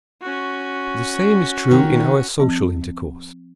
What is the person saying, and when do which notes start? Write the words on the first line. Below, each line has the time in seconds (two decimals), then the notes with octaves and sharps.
The same is true in our social intercourse.
0.21 C#4 F#4
1.71 D#3
2.40 F3 C4